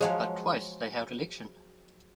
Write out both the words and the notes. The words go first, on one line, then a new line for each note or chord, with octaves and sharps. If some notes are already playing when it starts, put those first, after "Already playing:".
But twice they held election.
F3 F#3 G#3 G#4 C#5 F5